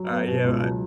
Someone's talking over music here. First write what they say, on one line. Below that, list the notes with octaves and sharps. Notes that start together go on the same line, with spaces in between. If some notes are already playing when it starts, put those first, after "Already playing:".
alright, yeah, right
Already playing: F#3
B3
B2
C#2
F#3